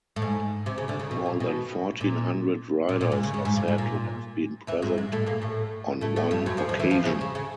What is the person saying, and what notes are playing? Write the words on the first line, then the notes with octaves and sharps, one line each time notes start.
More than fourteen hundred riders are said to have been present on one occasion.
A2
G#2
C3
C#3
D2 D3
C#3
B2
A#2
B2
A#2
A#2
A#2
G#2
C#3
C#3
G#2
G2
G#2
A#2
E2 E3
G#2 G#3
G#2 G#3
A2 A3
A#2 A#3
A2 A3
A2 A3
A2 A3
G2 G3
F#2 F#3
F2 F3
D#2 D#3
E2 E3
F2 F3
C#3
C#3
C#3